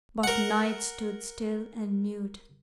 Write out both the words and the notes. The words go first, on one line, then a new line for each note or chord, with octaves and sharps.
But Night stood still and mute.
A#4 F#5